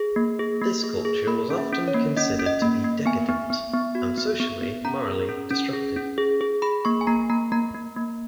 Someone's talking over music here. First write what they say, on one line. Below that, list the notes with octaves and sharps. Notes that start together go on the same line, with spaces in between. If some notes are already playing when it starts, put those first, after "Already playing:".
This culture was often considered to be decadent, and socially, morally, destructive.
Already playing: G#4
A#3
G#4
A#3
G#4
G#4
A#3 B5
C#4
E5
C#4
C#5
A#3
C#4 D#5
C#4
D#5
A#3
A#3
B3 G#5
B3
B3
B3
F#4
B3
B3
B3
C#4 A#5
G#4
C#4
C#4
G#4
C#4
G#4
G#4
G#4 B5
A#3 C#6
G#5
A#3 A#5
A#3 A#5
A#3 A#5
A#3
A#3